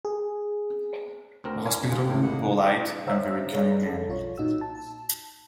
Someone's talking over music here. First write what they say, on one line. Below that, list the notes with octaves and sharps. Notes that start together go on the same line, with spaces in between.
A hospitable, polite, and very cunning man.
G#4
D2 D3 C4 A#4
C#4 D4 A#4 G#5
D3 E3 G#3
F4
G#1 A2 A3 E4 A#4
G#3 A#3 F#5
C5 C#5 E5 F5 A#5 E6
G#4 B4 C#5 A#5
A4
B1 F4 C#5
A#2 D#4 F#4 E6
A5